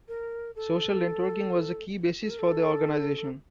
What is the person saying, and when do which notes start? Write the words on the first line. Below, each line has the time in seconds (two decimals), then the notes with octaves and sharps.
Social networking was the key basis for the organization.
0.08 A#4
0.56 A4
2.22 A4
2.30 A#4
2.39 A4